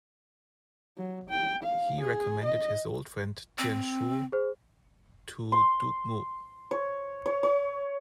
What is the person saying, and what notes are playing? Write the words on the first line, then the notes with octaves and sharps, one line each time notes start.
He recommended his old friend Jian Shu to Duke Mu.
F#3
G5
F5
G#4
D#5
C4
G#4 C5
C6
C#5
C#5
C#5